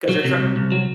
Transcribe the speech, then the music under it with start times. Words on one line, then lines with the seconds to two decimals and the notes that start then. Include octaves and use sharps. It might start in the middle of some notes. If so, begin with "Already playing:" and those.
'Cause you're, tr
0.09 F#3
0.24 C3
0.40 C2
0.56 C2
0.72 F#3